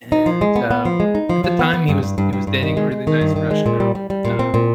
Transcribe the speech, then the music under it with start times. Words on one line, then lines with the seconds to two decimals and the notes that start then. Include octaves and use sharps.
And, um, at the time, he was he was dating a really nice Russian girl, um,
0.12 D#4
0.26 F3
0.41 G#3
0.56 B3
0.71 B3
0.85 F3
1.00 G#3
1.15 D#4
1.29 F3
1.44 F3
1.59 B3
1.74 B3
1.89 G2
2.03 G2
2.18 G2
2.33 G2
2.47 G2
2.63 D#3
2.77 G#3
2.92 G#3
3.07 D#3
3.21 G2
3.36 D#3
3.51 G#3
3.66 A#2
3.80 G3
3.95 G3
4.10 G3
4.25 A#2
4.39 C4
4.54 A#2